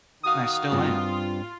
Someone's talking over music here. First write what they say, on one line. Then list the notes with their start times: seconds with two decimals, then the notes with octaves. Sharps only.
and I still am.
0.23 D#3 F#4 F5 D#6
0.72 G2 C4 F4